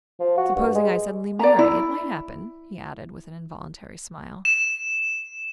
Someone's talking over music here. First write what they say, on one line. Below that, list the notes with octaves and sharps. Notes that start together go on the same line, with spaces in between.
"Supposing I suddenly marry... it might happen," he added with an involuntary smile.
F3
F#4
G2
G#3
D5 A#5
E4
E7